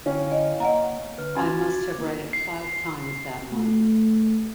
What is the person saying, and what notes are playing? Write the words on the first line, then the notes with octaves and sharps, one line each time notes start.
I must have read it five times that month.
D3 C#4 E4 F5 G5
D#5
A#3 D#5 F#5 A#5
D3 B4 F6
C#4 F#4 G#5 D6 G#6 A6
A#3 D#4 E4
C7
A3